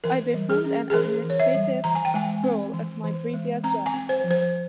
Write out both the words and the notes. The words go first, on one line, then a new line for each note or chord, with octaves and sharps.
I performed an administrative role at my previous job.
E3 A#4
G3
G#4
C#4
G#4
E3 A#4
E3
C#5
E5
G3
E3 A#5
G#5
G5
G#3 G#5
C4
E3
E3
G#3
C4 A#5
G#5
C4
C5
F3
C5